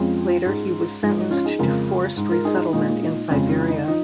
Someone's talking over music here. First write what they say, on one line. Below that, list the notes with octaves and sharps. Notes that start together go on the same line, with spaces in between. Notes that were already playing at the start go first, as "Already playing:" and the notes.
Later he was sentenced to forced resettlement in Siberia.
Already playing: F2 F3 G#3 C#4 F4
G#2 G#3
G#2 F3 G#3 D#4
D#4
C#4 F4
D#4 G#4
F2 C#3 G#3 F4 A#4
G#2 G#3
F4 A#4
D#4 G#4
F4
D#4
A#2 G#3 D#4
D#4
F2 C#3 G#3 C#4 F4
C#4 F4
D#4
F3 D#4